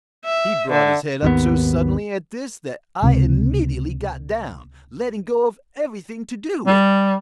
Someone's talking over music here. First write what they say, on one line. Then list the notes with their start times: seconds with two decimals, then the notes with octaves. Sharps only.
He brought his head up so suddenly at this that I immediately got down, letting go of everything to do it.
0.25 E5
0.70 D3
1.22 G#1 D#2 B3
3.03 C#2 C3
6.66 G3